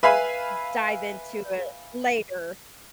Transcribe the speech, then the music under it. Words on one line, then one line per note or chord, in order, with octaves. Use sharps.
m dive into it later,
B4 E5 F5 G#5 B5